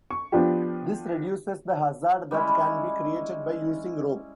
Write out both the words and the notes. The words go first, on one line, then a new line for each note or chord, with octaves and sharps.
This reduces the hazard that can be created by using rope.
C#6
F3 B3 D4 F4 G4
G3 G#3 C#4 E4